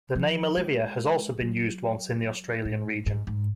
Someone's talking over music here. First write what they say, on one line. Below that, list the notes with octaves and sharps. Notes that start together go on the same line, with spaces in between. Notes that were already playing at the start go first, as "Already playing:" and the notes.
The name Olivia has also been used once in the Australian region.
F3
G#3
F#3
A2
G#2
G#2